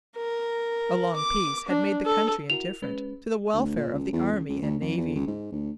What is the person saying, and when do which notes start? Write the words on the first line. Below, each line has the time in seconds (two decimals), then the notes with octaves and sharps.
A long peace had made the country indifferent to the welfare of the Army and Navy.
0.16 A#4
1.16 D6
1.68 D4
2.05 A4
2.50 E4 F#4 A#4 F7
2.82 G#3 C#4 B4
3.54 D2
3.76 A#2
3.94 C#2
4.13 E2
4.32 C#2
4.49 C#2
4.62 D2
4.81 F2
4.98 E2
5.16 C#2
5.27 G#2
5.52 D2